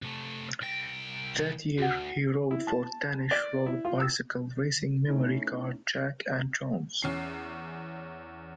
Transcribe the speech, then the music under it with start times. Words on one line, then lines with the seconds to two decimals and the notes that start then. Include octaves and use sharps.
That year, he rode for Danish road bicycle racing Memory Card-Jack and Jones.
0.02 C3 A3
0.62 C2 G5
1.78 D2 F#4 F#5
2.51 E4
2.67 A5
3.31 D5
3.66 E4
3.85 F4
4.00 E6
5.08 A3 C#4 D#4 E4
7.02 E2 C#4 C7